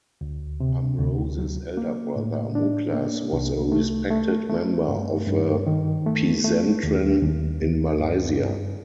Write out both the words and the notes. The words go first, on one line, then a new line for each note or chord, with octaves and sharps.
Amrozis' elder brother Muklas was a respected member of a "pesantren" in Malaysia.
D2
C3
D2
F#3
A#3
A2
D4
A#3
C2
A3
A3
A3
G2
G2
D#3
A3
A3
D#2
D#2
D#2
G2
G2